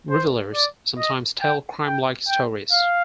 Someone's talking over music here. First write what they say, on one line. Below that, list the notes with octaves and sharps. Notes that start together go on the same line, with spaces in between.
Revealers sometimes tell crime-like stories.
C5
D5
D#5
G5
G5
G5
F5